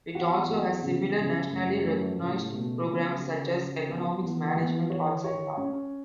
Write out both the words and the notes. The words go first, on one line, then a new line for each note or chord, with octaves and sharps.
It also has similar nationally recognized programs such as economics, management, arts and law.
E2 F#4
F#4
C#3
C#3
F#2 A3
A3
A2 C#3
B2 A3
C#3 B3
F#4
F#4
B3
E3 B3
B3
C#5
C#5
C#4